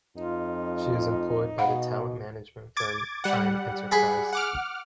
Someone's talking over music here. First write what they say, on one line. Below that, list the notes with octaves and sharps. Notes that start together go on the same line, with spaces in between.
She is employed by the talent management firm I'm Enterprise.
F2 D#4 F4
B2 F5 F#5 B5
D6 G#6 A6
G3 F#5
G#4 B5
F#5 D6 F6